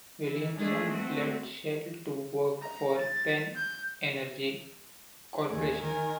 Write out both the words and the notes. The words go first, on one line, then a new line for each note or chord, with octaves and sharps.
Williamson left Shell to work for Pan Energy Corporation.
E3
G#3 A3 D4 G#4
A3 C4 F#4
A#5
A6
G6
D#2 G#4
D#3 A#4 G#5